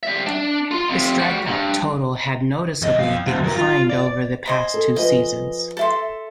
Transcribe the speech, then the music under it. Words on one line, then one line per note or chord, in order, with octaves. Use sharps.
His strikeout total had noticeably declined over the past two seasons.
G3 E5
D4
F4 C6
F2 C3
G3 F#4
G2
E2 D#5
F2 F5
D2 F#3
F#3 A#4
F4
D5
C5 D#5 G#5
A4
F3 B4 D#5 G#5
A4 E5 C6